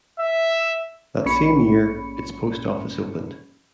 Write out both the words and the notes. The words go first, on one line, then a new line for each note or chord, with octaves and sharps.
That same year, its post office opened.
E5
A#1 C#4 B5 C#7